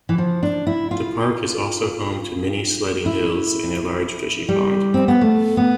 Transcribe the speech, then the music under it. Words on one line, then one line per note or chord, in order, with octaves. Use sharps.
The park is also home to many sledding hills and a large fishing pond.
E3
F3
D4
E4
F4
E4
G3
C4
B3
A3
B3